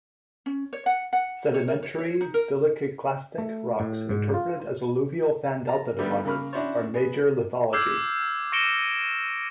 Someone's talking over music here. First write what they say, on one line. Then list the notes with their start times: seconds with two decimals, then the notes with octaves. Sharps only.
Sedimentary siliciclastic rocks, interpreted as alluvial fan-delta deposits, are the major lithology.
0.46 C#4
0.73 C#5
0.86 F#5
1.13 F#5
1.54 C#5
1.68 A#4
1.83 C#5
1.98 C#5
2.21 D#4
2.34 A#4
3.38 A3
3.80 A2
4.09 G#2
4.34 F4
5.67 A5 A#5
5.99 D3 G3 A3 B3 D#4
6.25 C#3 A#3 B5 C#6 F6
6.53 C#4 D4 E4 F#4 C5 C#5
6.94 B3 G#4
7.73 D6 E6 F6 G6 G#6 C7
8.52 C#6 A#6 C#7 D7 E7 G7